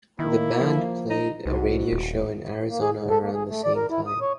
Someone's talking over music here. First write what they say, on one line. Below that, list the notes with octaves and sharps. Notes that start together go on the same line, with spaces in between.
The band played a radio show in Arizona around the same time.
D#3 A#3 E4
F3
D#4
C2 G#2 F#4
D#1
A#3
G#4
G#2
A4
A#3
G#4
A3
D5
A#4
E4
D#6
C#5